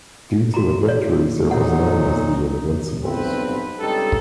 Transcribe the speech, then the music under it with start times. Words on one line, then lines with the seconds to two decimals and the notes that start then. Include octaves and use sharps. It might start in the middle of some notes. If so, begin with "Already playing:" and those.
Due to the victories, it was known as "The Invincibles".
0.54 F#4 A#5
0.89 C#5
1.51 A#2 F#3 D#4 F#5
3.04 B1 G2 C4 B4
3.79 C#2 G2 C4 D#4 G4 A4